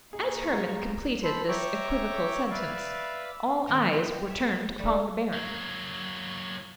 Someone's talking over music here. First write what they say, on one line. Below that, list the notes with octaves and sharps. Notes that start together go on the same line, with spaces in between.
As Hermann completed this equivocal sentence, all eyes were turned upon the Baron.
A#2 D#4 G#4 C#6
C#2 G2 G#4 A#5
A4 C5 B5 C6
C#5 E5 G5 A#5 C#6 D6
B4 D5 E5 F5
B2 D#3 A#4 A#5
F4 D#5 G5
C#5 E5
G3 A3 D4
F#3 A#3